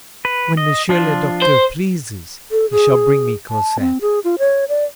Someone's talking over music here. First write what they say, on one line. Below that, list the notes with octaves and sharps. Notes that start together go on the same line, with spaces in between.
When Monsieur le Docteur pleases, he shall bring me Cosette.
B4
D#5
F3 D4 F4
C5
A4
G#4
A5
C4
G#4
F4
C#5
D5